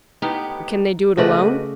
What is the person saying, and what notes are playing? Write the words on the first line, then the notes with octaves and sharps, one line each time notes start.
"But can they do it alone?"
A2 B3 D#4 G4
C#3 A3 F#4 B4 D5 D#5